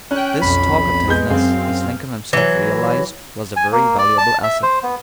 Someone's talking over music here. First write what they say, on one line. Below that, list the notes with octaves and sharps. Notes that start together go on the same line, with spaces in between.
This talkativeness, as Lincoln himself realized, was a very valuable asset.
C#4 G5 F#6
B1 F2 B5
G#3 B3 G6
F#2 C4 G#4 F5
E3 F#3
G#5
A#3
D5
A5
E5
C5
B3